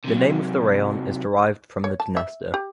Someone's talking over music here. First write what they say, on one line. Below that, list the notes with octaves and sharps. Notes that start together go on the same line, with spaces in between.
The name of the raion is derived from the Dniester.
C3 F#3
C#5
A5
E5
G4